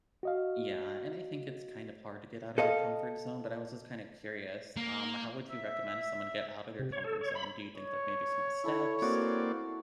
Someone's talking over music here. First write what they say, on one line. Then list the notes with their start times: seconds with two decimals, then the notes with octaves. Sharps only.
Yeah, and I think it's kind of hard to get out of your comfort zone, but I was just kind of curious, um, how would you recommend someone get out of your comfort zone, do you think, like, maybe small steps?
0.23 F#4 D#5 F5
2.58 A4 D#5 F5
4.77 A#3
5.48 E5
6.79 C3
6.92 C#5
7.04 A4
7.21 C#5
7.35 B5
7.75 C#5 D#5
8.64 E4 A4
9.02 A#3 C4 F#4 D5